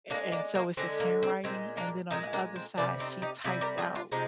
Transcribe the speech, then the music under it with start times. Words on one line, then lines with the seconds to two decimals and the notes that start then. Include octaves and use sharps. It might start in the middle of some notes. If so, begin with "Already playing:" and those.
a and so it's his handwriting, and then on the other side she typed out
0.10 D3 A#3 D4
0.14 G#3
0.32 A#3 D4
0.55 A#3
0.77 D3 G#3 C4
1.00 A#3
1.23 C4
1.44 A#2 G#3 C4
1.77 A#3 D4
2.11 A#2 G#3 C4 D#4
2.33 A#3 D4
2.56 C4
2.78 C3 G3 A#3 D4
3.00 C4 D#4
3.22 D#4 G4
3.44 C3 G3 F4 G#4
3.61 G4 A#4
3.78 F4 G#4
3.95 D4 F4
4.12 C3 F3 G#3 D#4 G4